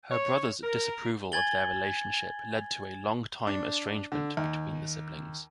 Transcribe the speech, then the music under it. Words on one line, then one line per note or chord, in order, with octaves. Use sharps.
Her brother's disapproval of their relationship led to a longtime estrangement between the siblings.
C#5
A#4
G#5 G#6 A6 F#7 G7
D4
D3
D#2